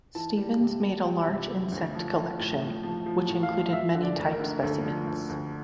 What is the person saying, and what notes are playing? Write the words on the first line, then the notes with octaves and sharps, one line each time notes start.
Stephens made a large insect collection, which included many type specimens.
E3 A5
G3
C3
G3
G3 G5
C3
C3
D2
F3
F3
A2
F3
F3 A5
F3
A2
F5
F3
F5
F3 E5
D3
D5
D2
A#4
D3
D2 A4
F3
D2
D2